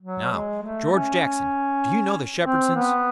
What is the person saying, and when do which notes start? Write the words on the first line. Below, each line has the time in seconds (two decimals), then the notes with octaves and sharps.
"Now, George Jackson, do you know the Shepherdsons?"
0.02 F#3
0.33 G#3
0.63 A3
0.93 C#4
2.45 C4
2.76 B3